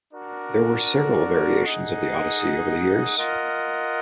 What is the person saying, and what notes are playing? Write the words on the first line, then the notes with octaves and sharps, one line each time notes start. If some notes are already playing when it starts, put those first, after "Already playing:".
There were several variations of the Odyssey over the years.
D4 F#4 A#4 D5
D#4 G#4 D#5 F#5
F4 A#4 D#5 F#5